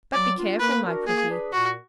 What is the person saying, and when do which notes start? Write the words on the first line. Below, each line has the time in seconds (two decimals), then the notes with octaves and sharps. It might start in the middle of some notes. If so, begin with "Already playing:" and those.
But be careful, my pretty!
0.13 F#3 D5
0.37 B3 D4 F4
0.60 A#3 B4
0.83 D4 F#4 A#4
1.07 A#3 G#4
1.30 D4 G#4 B4
1.53 A#2 F#4